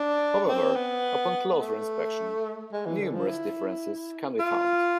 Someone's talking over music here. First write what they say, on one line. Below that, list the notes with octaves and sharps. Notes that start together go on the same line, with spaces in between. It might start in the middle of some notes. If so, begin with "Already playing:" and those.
However, upon closer inspection, numerous differences can be found.
Already playing: D4
C4
B3
A3
G#3
E3
D3
F3
E4
F4